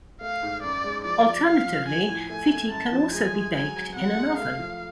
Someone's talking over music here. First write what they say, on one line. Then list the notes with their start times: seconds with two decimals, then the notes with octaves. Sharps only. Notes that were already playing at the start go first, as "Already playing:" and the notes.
Alternatively, phitti can also be baked in an oven.
0.21 A3 F5
0.42 G#2
0.63 F#2 D5
0.84 G#3
1.05 F3 D5
1.25 F3
1.46 F3 F5
1.67 F3
1.88 F3 G#5
2.08 A2
2.30 A3 G#5
2.50 A3
2.71 F#2 A5
2.92 F3
3.13 G#3 G#5
3.34 G#3
3.55 F#3 G#5
3.76 F#3
3.96 F2 F#5
4.17 G#3
4.37 A3 F5
4.59 F3